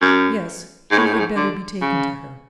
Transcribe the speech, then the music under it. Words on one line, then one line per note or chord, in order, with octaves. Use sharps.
Yes; he had better be taken to her.
F#2
G#2
A2
G#2
A2
G#2
D3
C#3